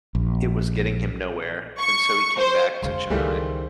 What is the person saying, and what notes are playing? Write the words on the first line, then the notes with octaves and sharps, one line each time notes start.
It was getting him nowhere and so he came back to Chennai.
A#1
C#6
C5
F2 D3 G#3 C5 F5 C6
C#2 D#3 E3 G3 A3 G#4